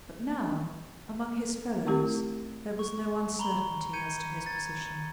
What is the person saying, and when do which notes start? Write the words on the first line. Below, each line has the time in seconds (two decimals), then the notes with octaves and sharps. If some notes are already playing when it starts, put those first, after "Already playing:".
But now, among his fellows, there was no uncertainty as to his position.
1.87 A3 C4 E4 G4 A#4
2.79 C#6
3.39 A#5 B5 G7
3.93 G6 G#6 C#7 D#7
4.46 G#6 A6